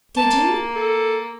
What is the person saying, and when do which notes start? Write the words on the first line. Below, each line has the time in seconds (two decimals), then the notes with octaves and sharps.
Did you?
0.17 A#3 A5
0.76 A4